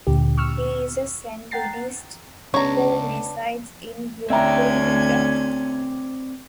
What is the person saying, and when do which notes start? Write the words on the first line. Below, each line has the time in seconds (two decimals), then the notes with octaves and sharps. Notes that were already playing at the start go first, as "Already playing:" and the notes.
He is a Zen Buddhist who resides in Brooklyn, New York.
0.07 D2 A#2 D3 G4
0.38 C#6 E6 F6
1.51 F#5 G5 A#5 A6 C7
2.54 C#2 C#3 B3 D4 C#5 A#5
4.30 D2 C4 C#4 D5 E5 G5 A#5 G#6